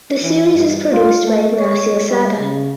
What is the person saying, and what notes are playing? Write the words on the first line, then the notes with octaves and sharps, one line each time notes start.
The series is produced by Ignacio Sada.
E3
G2
F4
A3
C#5
G3
C#3